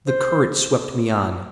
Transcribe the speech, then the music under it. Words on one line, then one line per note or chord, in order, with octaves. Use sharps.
The current swept me on.
C5